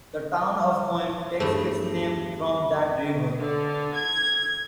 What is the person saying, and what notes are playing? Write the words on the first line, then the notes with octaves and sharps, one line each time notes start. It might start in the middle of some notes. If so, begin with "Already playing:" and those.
The town of Coen takes its name from that river.
E2 G2 A3
D3
G#6